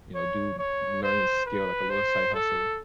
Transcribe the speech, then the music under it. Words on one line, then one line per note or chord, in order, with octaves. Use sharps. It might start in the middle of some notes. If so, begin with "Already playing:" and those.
You know, do learn a skill, like a little side hustle,
C#5
C#5
C5
B4
C5
A4